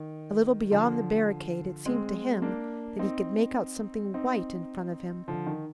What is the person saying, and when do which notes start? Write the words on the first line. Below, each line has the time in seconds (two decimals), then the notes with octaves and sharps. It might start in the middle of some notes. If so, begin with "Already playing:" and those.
A little beyond the barricade, it seemed to him that he could make out something white in front of him.
Already playing: D#3
0.71 D3 F3
1.86 G#3 C4
2.42 A#3 D4
2.99 C4 D#4
4.14 C4 D#4
5.28 D3 F3
5.47 D#3